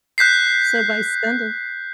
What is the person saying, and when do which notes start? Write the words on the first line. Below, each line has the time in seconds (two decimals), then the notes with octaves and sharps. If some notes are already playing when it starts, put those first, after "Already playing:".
So, by Sunday
0.18 F#6 G6 B6 C7